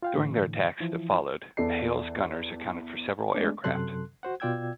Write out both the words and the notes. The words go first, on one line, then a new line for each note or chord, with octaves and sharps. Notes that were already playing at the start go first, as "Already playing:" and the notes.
During the air attacks that followed, "Hale"'s gunners accounted for several aircraft.
F4 F5 G5
A2 D3 E3
E3 F3 E4
E2 A4 D5 C7
G#3 A3 B3 D4
F#2 C3 F#3 A4 C6 F#6
F#4 C5 F#5
B2 F4 D5 G5 E6 G#6